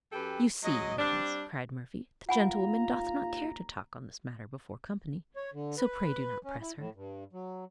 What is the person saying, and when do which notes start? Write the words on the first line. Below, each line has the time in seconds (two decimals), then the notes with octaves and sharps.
"You see, ladies," cried Murphy, "the gentle-woman doth not care to talk on this matter before company; so pray do not press her."
0.13 F#2 G4 A4 B4 G5
0.64 F#3 G#3 D#5
0.99 G3 C4 D4
2.29 D#2 F4 F#5 G#5 A#5 B5
5.36 C#5
5.53 D3
5.78 B4
6.44 C#4
6.61 E4
6.77 A2
6.95 G2
7.33 F#3